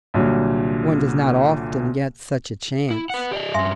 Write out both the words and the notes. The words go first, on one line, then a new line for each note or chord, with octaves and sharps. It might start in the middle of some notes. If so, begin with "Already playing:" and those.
One does not often get such a chance.
C2 A#2 D3 F#3
E4
B4 F#5
G4 D5 D#5
G2 C#4 E5 G#5 C6